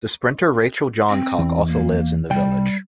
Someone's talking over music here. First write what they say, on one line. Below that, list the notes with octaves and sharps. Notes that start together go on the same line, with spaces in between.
The sprinter Rachel Johncock also lives in the village.
C4
E2
A#3
C2 G3 G5